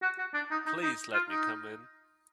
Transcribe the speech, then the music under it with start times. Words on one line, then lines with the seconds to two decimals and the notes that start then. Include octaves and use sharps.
Please let me come in.
0.02 F#4
0.18 F#4
0.34 D4
0.51 D#4
0.67 D#4
0.83 D#4
1.14 F4
1.30 D#4